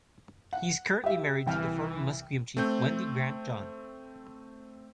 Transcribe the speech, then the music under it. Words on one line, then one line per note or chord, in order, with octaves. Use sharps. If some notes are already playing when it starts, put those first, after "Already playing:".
He is currently married to former Musqueam chief Wendy Grant-John.
F#5
G4 E5
C2 E3 G5 F6
A3 C4 G6